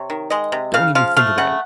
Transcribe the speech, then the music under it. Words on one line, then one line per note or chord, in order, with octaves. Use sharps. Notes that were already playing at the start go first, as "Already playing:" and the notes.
Don't even think about it!
Already playing: C3 C#5
D#3
G#3 D#5
C3
C#3 F5
F3 F5
A3 F5
C#3 F#5